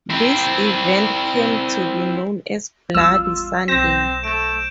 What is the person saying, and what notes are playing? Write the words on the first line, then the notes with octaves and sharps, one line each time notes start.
This event came to be known as Bloody Sunday.
C4 E4
A1 E2 G3 F4 E6
B1 C4 C5 G6 A#6 E7
A3 D7 E7